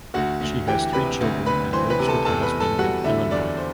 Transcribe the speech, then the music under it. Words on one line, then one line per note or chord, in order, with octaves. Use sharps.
She has three children and lives with her husband in Illinois.
D2 F#4 F#5
D2
E3 G4 G5
C3 B4 B5
D2
D2 B4 B5
E3 C5 C6
B4 B5
C3
A4 A5
E2 A4 A5
B4 B5
E2
A4 A5
G3 F#4 F#5
D3 E4 E5
E2 D4 D5
C5